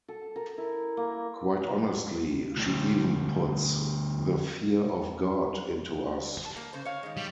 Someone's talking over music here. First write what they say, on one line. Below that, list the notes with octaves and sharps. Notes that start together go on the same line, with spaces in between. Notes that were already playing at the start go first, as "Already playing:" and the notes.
Quite honestly, she even puts the fear of God into us.
A4
A#4
E4
A#3
D2 G3
A5
A#3
C#3 C5
C#5 F5
D#3 G#3
G3